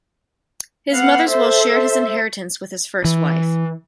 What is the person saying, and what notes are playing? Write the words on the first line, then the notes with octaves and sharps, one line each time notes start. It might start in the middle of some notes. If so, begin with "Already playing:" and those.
His mother's will shared his inheritance with his first wife.
B3 F5 F#5
A4 C5 E5
E3